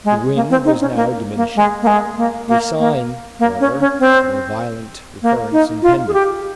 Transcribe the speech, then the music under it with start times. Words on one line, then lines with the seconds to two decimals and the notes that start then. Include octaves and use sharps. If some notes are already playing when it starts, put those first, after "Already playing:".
The wind was now diminishing--a sign, however, of a violent recurrence impending.
0.04 G#3
0.35 A#3
0.50 C4
0.65 D#4
0.80 C#4
0.95 A#3
1.36 A#3
1.56 G#3
1.82 A#3
1.87 G#3
2.17 A#3
2.48 A#3
2.79 A#3
3.39 A#3
3.60 C#4
3.80 C#4
4.00 C4
5.22 A#3
5.52 D#4
5.82 F4
6.08 G#4
6.13 G4